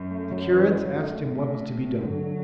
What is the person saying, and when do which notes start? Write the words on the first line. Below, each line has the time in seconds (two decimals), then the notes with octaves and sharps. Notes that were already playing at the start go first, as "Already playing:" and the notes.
The curates asked him what was to be done.
Already playing: F#2
0.11 A3
0.32 F#3
0.53 E3
0.75 F#3
0.97 A3
1.19 A2
2.05 D3 F#3